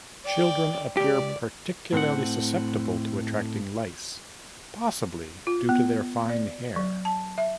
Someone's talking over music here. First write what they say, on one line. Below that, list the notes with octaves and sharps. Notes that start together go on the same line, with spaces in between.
Children appear particularly susceptible to attracting lice, possibly due to their fine hair.
D5 G5
C#2 G4 D5
A2 C4 F#5
F4
B3
D5
F#3
A5
E5